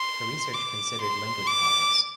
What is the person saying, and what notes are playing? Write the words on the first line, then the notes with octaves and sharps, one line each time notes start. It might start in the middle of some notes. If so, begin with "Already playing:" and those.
Her research considered language models.
Already playing: C6
D6
C6
D6